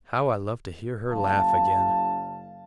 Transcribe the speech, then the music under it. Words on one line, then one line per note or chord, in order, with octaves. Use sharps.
How I loved to hear her laugh again!
F#1 F5 A5